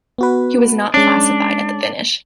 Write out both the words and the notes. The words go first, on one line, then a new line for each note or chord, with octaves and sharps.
He was not classified at the finish.
B3 F#4 B4
G#3 C#4 D4